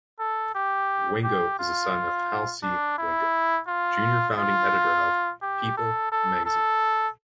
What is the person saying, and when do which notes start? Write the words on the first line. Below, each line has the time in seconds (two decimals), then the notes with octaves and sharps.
Wingo is the son of Hal C. Wingo, Junior founding editor of "People" magazine.
0.20 A4
0.55 G4
1.24 G4
1.59 F4
2.63 D4
2.98 E4
3.68 F4
4.38 F4
5.42 G4
5.77 A4
6.12 A4
6.46 A4